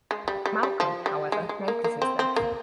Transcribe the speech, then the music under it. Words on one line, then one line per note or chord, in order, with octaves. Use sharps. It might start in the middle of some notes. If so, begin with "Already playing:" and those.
Malcolm however notices this.
G#3
G3
G3
G3
F3
G3
G#3
G#3
A#3
A#3
C4
C4
A#3